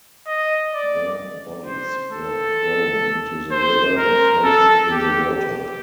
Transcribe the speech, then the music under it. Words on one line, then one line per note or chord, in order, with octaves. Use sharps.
Their bodies were thrown into the river and floated in the water.
D#5
D5
C5
A4
C5
A#4
A4
G4
G4